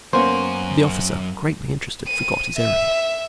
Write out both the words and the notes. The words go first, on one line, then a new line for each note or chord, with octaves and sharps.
The officer, greatly interested, forgot his errand.
F#2 A#3 B3 C#4 C5 G#5
D#7
E5